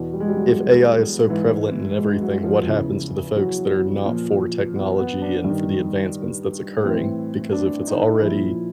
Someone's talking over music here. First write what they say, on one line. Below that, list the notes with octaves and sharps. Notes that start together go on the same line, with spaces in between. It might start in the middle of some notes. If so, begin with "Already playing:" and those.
if AI is so prevalent in everything, what happens to the folks that are not for technology and for the advancements that's occurring? Because if it's already,
Already playing: E2 B2
G3
G#3
G3
F#3
G#2 E3
G#3
F#3
F3
E2 C#3 E3
F#3
A#2 F3
B3
B3
D4
G2
D#3
A2 E3 C4
D4
D#4
A#2 F3 E4